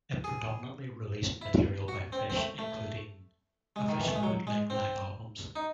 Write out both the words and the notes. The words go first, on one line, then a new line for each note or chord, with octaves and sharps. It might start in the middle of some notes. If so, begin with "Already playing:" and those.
It predominantly released material by Fish, including 'official bootleg' live albums.
G#4
E4
F#4
C4
C4
A3
A3
G#3
D#3
E3
A3
G#3
F#3
G#3
C4
D#4